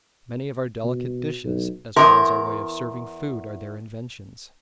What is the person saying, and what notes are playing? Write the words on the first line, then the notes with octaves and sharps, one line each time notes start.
Many of our delicate dishes, as well as our way of serving food, are their inventions.
B2
B1
E2 C3 A#4 E5 C6